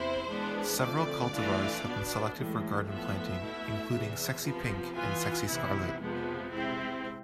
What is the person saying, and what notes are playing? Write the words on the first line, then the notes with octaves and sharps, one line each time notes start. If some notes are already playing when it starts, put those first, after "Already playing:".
Several cultivars have been selected for garden planting, including 'Sexy Pink' and 'Sexy Scarlet'.
Already playing: E2 C3 E4 C5
E3 G#3 B3 D4
F2 D3 A3 D5
E3 A3 D4 F4
B2 B3 D4
A2 E3 G#3
A2 F3 B3 E5
B2 A3 E4
E2 C3 E3
C3 F3 B3
E3 B3 F4 G#5
C3 E3 B3 E4
F2 C3 F3 G#3 B3
C3 G#3 C4 E4